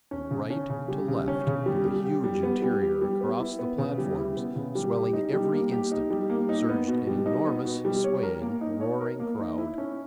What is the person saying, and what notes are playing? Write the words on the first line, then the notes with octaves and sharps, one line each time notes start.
From right to left of the huge interior, across the platforms, swelling every instant, surged an enormous swaying, roaring crowd.
C#4
C#3
C#4
C#3
G3
C#3
C#4
C#3
G3
G3
G4
G3
B3
G3
G4
G3
B3
E4
B3
C#3
G3
E4
B3
C#3
G3
G4
D#4
G3
A#3
G4
D#4
G3
A#3
D#4
B3
B2
G3
D#4
B3
B2
G3
C#5
A#4
A#3
D#4
C#5
A#4
A#3
D#4
E4
C#4